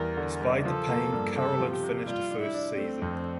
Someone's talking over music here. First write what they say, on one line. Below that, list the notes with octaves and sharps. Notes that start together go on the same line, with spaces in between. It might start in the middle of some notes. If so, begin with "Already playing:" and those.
Despite the pain, Carolyn finished the first season.
Already playing: E2 G3 A#4
D3
G3
F3 A4
A#3
G2
C3 A4
F3
G4
C3
G3 F4
D4
E4
D4
A3 C4
F2